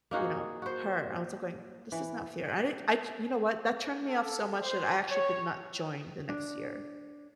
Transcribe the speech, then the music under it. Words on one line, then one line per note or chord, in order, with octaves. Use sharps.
you know, her, I was, like, going, "This is not fair." I did I j you know what? That turned me off so much that I actually did not join the next year.
A#3 D#4 F#4 G#4
F#4 C5
E3
A4
C5
C#5
D4